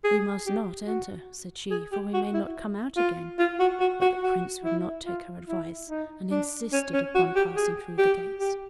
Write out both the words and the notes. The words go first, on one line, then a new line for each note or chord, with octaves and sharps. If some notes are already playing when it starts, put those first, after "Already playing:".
"We must not enter," said she, "for we may not come out again." But the Prince would not take her advice, and insisted upon passing through the gates.
G#4
G4
F#4
G#4
G4
F#4
E4
F4
F4
F#4
F#4
F#4
F#4
E4
F4
E4
D#4
D4
C#4
C#4
F#4
G4
G#4
G4
G4